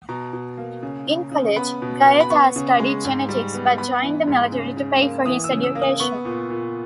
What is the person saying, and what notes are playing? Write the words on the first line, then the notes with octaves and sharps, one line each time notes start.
In college, Gaeta studied genetics but joined the military to pay for his education.
B2 A#5
B2
A#3
C#3
C#3
C#3
B3 B5
B2
B3
B5
B3 C#6
C#3
G#3
G#2
G3
B3
B3 B5
E3
G#2
C#3
C#3
A#3
E3 D#6
E6
C#3
E6
A#3
D#6
B3 C#6
A#2
A#2